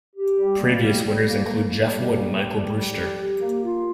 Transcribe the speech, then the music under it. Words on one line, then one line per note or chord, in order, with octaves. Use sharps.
Previous winners include Geoff Wood and Michael Brewster.
G4
G3
A#3
G3
G3
A#3
A#3
A#3
G3
A#3
G3
G3
G3
G4
G4
A#3
F4